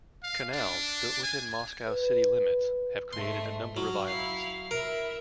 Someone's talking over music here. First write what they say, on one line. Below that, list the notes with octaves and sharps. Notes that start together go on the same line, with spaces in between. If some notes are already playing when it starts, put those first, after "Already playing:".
Canals, built within Moscow city limits, have created a number of islands.
F5
D4
G#5
B4
G#2 A3 C6
F#3 F6
E4 F5 B5
E4 A#4 E5